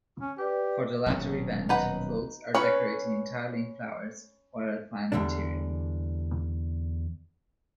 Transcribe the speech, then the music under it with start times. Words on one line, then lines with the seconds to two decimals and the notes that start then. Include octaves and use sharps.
For the latter event, floats are decorated entirely in flowers or other plant material.
0.21 C#4
0.38 G4 B4 D5
1.06 D#1 B1 C#4
1.69 D#4 B4 F#5
2.55 C#4 B4 C#5
5.12 E2 G2 D3 G3 D4